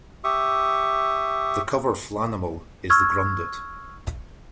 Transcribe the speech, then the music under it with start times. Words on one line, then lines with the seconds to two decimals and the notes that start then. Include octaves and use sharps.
The cover Flanimal is the Grundit.
0.24 G4 E5 C#6 D#6
2.90 C#6 E6 F6 G#6